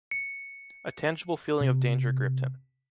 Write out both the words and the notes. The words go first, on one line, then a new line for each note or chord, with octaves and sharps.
A tangible feeling of danger gripped him.
C#7
C3